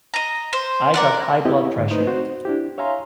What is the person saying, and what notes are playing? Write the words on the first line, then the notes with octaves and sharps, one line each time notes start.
I got high blood pressure.
D#5 A#5
C5
A#4 D5 F#5
B3 C4 E4 G4 D#5 E5
G#2 D3
A3 D#4 B4 C5 D#5
C4 F#4 C5
D4 E4 G4
C#5 E5 F5 G#5 A#5 C6